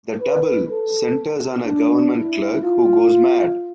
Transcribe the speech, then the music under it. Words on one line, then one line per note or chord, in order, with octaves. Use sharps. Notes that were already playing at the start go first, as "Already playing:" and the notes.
"The Double" centers on a government clerk who goes mad.
B4
A4
D4
E4
F4